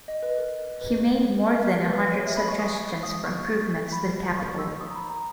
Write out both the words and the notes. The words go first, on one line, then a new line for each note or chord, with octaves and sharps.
He made more than a hundred suggestions for improvements to the capital.
D#5
B4
A#4
B4
A#4
B4
B4
C#5
E5
B5
C#6
D#6
D#6
C#6
B5
C#6
E6
D#6
A#5
B5
A#5